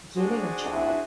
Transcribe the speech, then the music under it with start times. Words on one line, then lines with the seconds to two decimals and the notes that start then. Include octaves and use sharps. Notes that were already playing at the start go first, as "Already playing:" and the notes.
getting a job,
0.16 D4 F#4 G#4 C5
0.72 E4